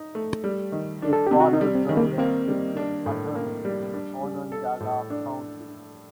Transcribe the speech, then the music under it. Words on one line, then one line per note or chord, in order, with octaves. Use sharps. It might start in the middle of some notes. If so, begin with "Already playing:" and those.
His father served as District Attorney in Onondaga County.
Already playing: D#4
A3
G3
D#3
D4
A4
C3 G4
F#4
D#4
G3
C4
D#3
A#3
A#3 C4
G3
D4
A2
A#3
G3
D4
G3
A4
A2
D4